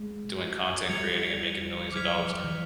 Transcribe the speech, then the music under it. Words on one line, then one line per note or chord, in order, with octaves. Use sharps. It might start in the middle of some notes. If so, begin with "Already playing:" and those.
doing content creating and making millions of dollars;
Already playing: G#3
G3 G#6 C#7 F7
F#3 D6 F6 G#6 B6
F3
E3